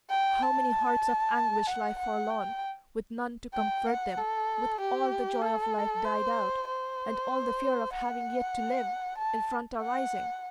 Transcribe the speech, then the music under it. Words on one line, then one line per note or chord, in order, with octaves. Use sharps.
How many hearts of anguish lie forlorn, with none to comfort them, with all the joy of life died out, and all the fear of having yet to live, in front arising!
G5
A5
F#5
F#5
G5
G5
F#5
A4
G4
A4
C5
C5
F#5
A5
F#5